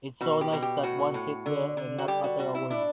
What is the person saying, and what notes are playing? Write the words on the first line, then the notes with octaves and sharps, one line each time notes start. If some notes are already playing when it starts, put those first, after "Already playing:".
It’s so nice that one sit there and not utter a word.
B2 F#4
G4
B2
G4
A2 F#4
A2
D3
D3
F#4
G3 G4
F#4
B2 F#4
E4
D4 E4